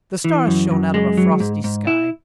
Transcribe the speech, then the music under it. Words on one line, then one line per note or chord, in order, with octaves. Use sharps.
The stars shone out of a frosty sky.
E3
F#2
F#2
G#3
F#3
G#2
G#2
E4